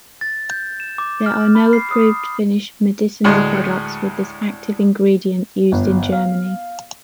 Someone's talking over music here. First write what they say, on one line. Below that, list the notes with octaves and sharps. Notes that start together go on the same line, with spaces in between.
There are no approved finished medicinal products with this active ingredient used in Germany.
A6
G6
E7
D6
F6
B5
C7
D#6
D2 A2 G#3
G1
F5